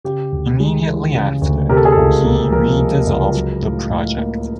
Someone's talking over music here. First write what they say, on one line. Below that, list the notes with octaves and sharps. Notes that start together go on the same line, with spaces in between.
Immediately after, he re-dissolved the project.
C#3 G4
D2
G#3
E3
C#3
D2
C3 A#4
A4
G#4
C#2 A4
A#3
F3 A#4
C3
C#2
F#3
A2
A2
A#3